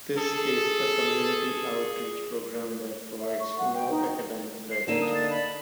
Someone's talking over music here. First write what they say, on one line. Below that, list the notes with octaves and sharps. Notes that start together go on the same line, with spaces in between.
This is a community outreach program that provides no academic credit.
G#4 A4
E5
C#6
F#5
G5
D#4
C7
D3 A#3 D#4 E7
D#6
A6
B5